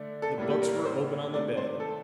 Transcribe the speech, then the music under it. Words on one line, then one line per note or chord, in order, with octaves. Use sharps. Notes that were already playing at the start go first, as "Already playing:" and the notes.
The books were open on the bed.
Already playing: D3 A3 D4
A4
A2 G3 A#3 D4
G4
A#4
A#4
C5
C3 D#3 A3 D4 D5
C5
A4